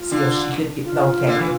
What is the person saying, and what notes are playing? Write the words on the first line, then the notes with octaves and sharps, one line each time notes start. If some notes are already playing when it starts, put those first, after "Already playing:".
see if she could g locate him.
Already playing: F4
D3
F4
D3
E3